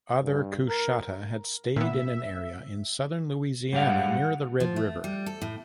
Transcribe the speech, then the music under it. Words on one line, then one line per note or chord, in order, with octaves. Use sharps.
Other Coushatta had stayed in an area in southern Louisiana near the Red River.
G2
A#4
A#2 B3 E5
G#2 G3 F5 F#5
F3
A3
G3
A4
A2